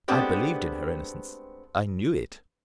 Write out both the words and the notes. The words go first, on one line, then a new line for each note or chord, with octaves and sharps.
I believed in her innocence; I knew it.
G#3 A3 B3 C4 D4 G4